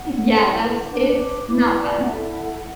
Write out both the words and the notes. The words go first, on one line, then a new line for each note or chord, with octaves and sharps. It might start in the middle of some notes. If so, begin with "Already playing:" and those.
I yeah. That's it's not fun.
Already playing: F#5
E4 A4
D4 B4 D6
D6
E4 B4 D6
D5
F#5
E4 A4 E5
F#5